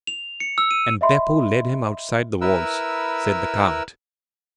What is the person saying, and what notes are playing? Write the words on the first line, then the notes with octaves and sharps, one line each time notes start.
"And Beppo led him outside the walls?" said the count.
F7
C#7
E6
D#7
D#5 E5 B5 C6
E4 A#4 B4 E6